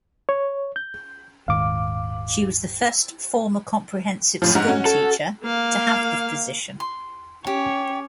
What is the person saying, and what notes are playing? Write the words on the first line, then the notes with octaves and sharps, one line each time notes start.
She was the first former comprehensive school teacher to have the position.
C#5
G6
D#1 G#2 D#3 F5 D6
F#2 A2 F3
G#2 F#5 A#5
C#4 F#4
A4
A#3 F5
C6
C#4 G4 C#5